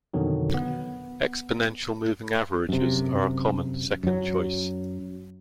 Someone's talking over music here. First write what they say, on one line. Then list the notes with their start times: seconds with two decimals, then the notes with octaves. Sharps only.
Exponential moving averages are a common second choice.
0.14 F2 B2 D3 D#3 F#3
0.54 B3
2.69 F#2 C3
4.03 F#2 F#3